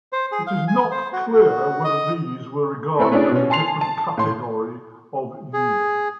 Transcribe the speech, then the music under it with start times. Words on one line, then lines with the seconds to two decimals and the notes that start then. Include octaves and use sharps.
It is not clear whether these were regarded as a different category of unit.
0.13 C5
0.32 G#4
0.47 F5
0.68 G#5
0.91 C5
1.13 F#4
1.33 F#4
1.84 D#5
2.99 A3 C4 E4 A4
3.12 A3 C#4 D4 E4 G#4 D5
3.31 B2 C#4
3.50 G#5 A5 C6 C7 F7
3.81 A5
4.17 A2 C6
5.53 G#4